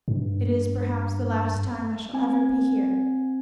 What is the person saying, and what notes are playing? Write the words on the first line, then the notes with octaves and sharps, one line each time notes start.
It is perhaps the last time I shall ever be here.
G2
C4 G#5